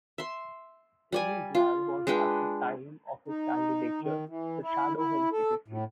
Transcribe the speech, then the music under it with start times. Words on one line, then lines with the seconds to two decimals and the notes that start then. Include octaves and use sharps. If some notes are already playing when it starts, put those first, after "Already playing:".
Tony Blair was, at the time of his candidature, the Shadow Home Secretary.
0.18 E5 C6
1.12 G3 D5 G#5
1.55 F4
2.07 G#3 D4 B4 G5
3.28 D#4
4.01 D#3
4.28 E3
4.63 E4
4.97 E4
5.32 A4
5.68 A2